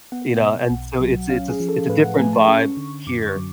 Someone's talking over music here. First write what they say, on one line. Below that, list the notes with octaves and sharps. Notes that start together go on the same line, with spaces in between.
you know? And so it's it's a it's a different vibe here,
B3 F#5
B2
B1
F#3
C#4 F5
G#4
F3
A4
A2 B4
F#5
A3 G#5
A5
C#4 C#6
D3
F#2 D6
C#6
F#3